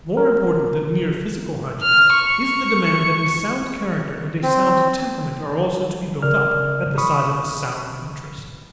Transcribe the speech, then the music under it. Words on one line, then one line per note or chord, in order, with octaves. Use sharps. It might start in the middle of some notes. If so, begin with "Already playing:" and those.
More important than mere physical hygiene is the demand that a sound character and a sound temperament are also to be built up, at the side of a sound interest.
A#4
F6
C#6
C4
C#3 A#4 D5 F6
B5 C#6 D#6